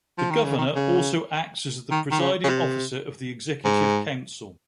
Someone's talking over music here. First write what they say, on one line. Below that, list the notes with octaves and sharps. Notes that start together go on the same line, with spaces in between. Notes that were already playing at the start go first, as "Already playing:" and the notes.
The Governor also acts as the Presiding Officer of the Executive Council.
F3
D#3
C#3
D#3
C#3
D#3
D#3
C#3
C#3
C3
G#2